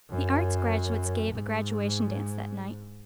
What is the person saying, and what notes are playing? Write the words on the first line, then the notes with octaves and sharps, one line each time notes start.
The Arts graduates gave a graduation dance that night.
F#2
G#2